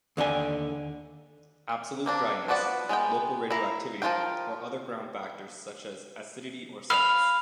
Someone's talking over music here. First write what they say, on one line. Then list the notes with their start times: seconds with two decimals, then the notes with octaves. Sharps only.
Absolute dryness, local radioactivity, or other ground factors such as acidity or salts.
0.17 D#2 D3 D5 G#5
2.06 A#3 C4 D4
2.48 F3 B3 F#4 D5 F#5
2.89 G#3 B3 A#4 G5
3.50 E4 A#5
4.02 F3 E4 F4 A#4 G5
6.90 F5 B5 F6 F7